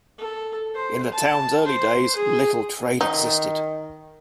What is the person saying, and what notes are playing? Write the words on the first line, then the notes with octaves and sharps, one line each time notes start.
In the town's early days, little trade existed.
A4
C5
A5
C5
G#4
D#3 D#4